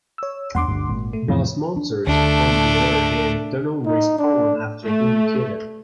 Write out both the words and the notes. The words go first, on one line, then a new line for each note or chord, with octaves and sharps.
Boss monsters, on the other hand, do not respawn after being killed.
C#5 E6
E2 A3 D4 F#5 C6 D6
G1 D2 G2
G#1 A#2
A3
F2 A2 C3 E3 F3 C4
D4
D2 A3 D4
D#4
D4
A3